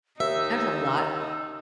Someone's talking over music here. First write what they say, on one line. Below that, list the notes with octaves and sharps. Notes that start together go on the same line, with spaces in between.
There's a lot
D#2 D#4 E5 E6